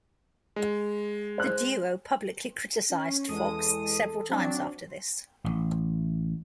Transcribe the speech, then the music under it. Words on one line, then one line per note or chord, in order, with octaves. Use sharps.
The duo publicly criticized Fox several times after this.
G#3
C5 F#6
C#4
E2 G#3 A4 D#6
F#3 C4 D4
A1